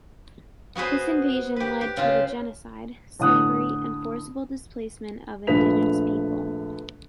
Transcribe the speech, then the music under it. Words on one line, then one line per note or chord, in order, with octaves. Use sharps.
This invasion led to the genocide, slavery and forcible displacement of indigenous people.
B3 F#4 G#4 B4 C5
G4 B4
G4
C#3 F4
A2 D3 D#6 F#6
A#1 A3 F4 B4 B6 F7